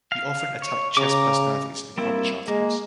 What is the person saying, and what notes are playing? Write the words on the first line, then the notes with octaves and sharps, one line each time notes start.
He often attacked chess personalities in published articles.
F5
C#5
C#3 A#5 D6
G3 A#3 C4 E4
G#3 A#3